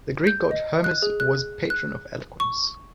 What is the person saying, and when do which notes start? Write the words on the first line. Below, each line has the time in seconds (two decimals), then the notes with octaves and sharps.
The Greek god Hermes was patron of eloquence.
0.27 G6
0.51 D#5
0.84 F#6
1.02 G#4
1.20 F#6
1.70 F#6
2.40 C#6